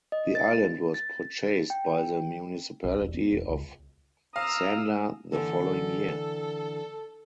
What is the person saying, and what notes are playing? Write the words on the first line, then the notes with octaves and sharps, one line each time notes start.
The island was purchased by the municipality of Sandar the following year.
D#5
A6
A6
G5
B1
E1
B3
E1
C#2
F5 A#5 D#6 E6
D3 E3 A#3 A4